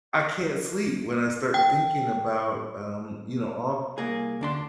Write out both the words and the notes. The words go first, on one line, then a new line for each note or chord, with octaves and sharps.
I can't sleep when I start thinking about, um, you know, all
G5
C2 A#3 G#4
D2 D4 C6